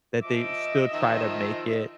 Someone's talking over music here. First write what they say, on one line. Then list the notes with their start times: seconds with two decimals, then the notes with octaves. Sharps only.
that they still try to make it,
0.23 F3 D#5 E5 D6
0.93 D#3 F3